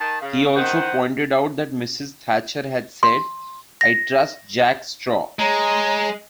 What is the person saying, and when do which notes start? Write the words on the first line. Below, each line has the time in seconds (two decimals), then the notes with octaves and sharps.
He also pointed out that Mrs Thatcher had said, I trust Jack Straw.
0.01 D#3 A5
0.22 C#3 F5
0.56 D#3 C5 F#5
3.03 C6
3.81 A#6
5.39 G#3 C#5 A#5